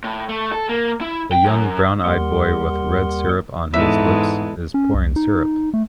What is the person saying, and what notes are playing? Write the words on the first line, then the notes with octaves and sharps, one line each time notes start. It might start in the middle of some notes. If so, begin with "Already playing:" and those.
A young brown eyed boy with red syrup on his lips is pouring syrup.
A2
A3
A4
A#3
E4
G5
F#2
D#2 G3 G4 A#4 F#5 C6
E2 G#2 G#3 A4 B4 E5
C#4
C2
D#4
A3